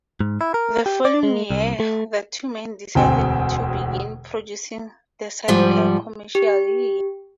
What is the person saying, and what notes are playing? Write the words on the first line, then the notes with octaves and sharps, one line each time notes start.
The following year, the two men decided to begin producing the sidecar commercially.
G#2
E4
A#4
G4
D5
G#3
C2
A3
E1 D2 C4 G5 G#5
G#2 F3 G3
G4